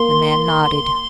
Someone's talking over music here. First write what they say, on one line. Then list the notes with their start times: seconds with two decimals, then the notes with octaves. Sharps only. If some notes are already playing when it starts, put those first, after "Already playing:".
The man nodded.
Already playing: A#3 C6